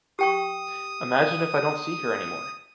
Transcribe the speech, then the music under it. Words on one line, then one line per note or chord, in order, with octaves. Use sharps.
Imagine if I don’t see her anymore.
G4 G5 C#6 D#6